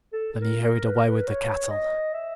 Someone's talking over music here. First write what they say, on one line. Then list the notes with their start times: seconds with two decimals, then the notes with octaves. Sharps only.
Then he hurried away with the cattle.
0.13 A4
0.33 A4
0.41 A#4
0.84 B4
0.95 A#4
1.08 B4
1.27 C#5
1.70 D#5
2.13 E5